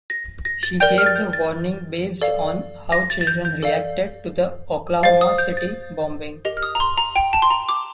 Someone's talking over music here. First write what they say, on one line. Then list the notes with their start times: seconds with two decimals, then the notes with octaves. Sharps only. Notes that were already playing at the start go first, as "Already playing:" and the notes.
She gave the warning based on how children reacted to the Oklahoma City bombing.
0.10 A#6
0.45 A#6
0.63 A6
0.80 A#4 D5 G5 G6
0.98 F6
1.06 A6
1.16 G6
1.33 A6
2.21 A4 D5 F5
2.92 A#6
3.10 A6
3.21 A6
3.27 G6
3.45 G6
3.63 A4 D5 F5
5.03 C5 F5 A6
5.21 D#6
5.38 G6
5.57 A6
6.45 G4 A#4 D#5
6.57 F6
6.63 D#6
6.75 A#5
6.80 C6
6.98 A#5
7.16 G5
7.33 A5
7.42 C6
7.50 A#5
7.69 D6